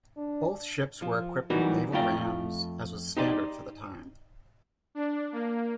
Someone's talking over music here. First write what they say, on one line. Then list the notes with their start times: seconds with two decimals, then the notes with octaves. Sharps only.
Both ships were equipped with naval rams as was standard for the time.
0.17 D4
1.02 F3
1.50 E3 F#3 G3 D#4 F#4 A#4
1.92 F2 A3 F4 G5 A#5
3.17 D#4 G4 C5 D5 D#5
4.95 D4
5.32 A#3